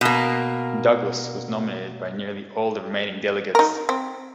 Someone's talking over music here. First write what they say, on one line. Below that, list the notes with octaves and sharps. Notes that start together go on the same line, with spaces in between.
Douglas was nominated by nearly all the remaining delegates.
B2 A#3
D#4 A#4
C4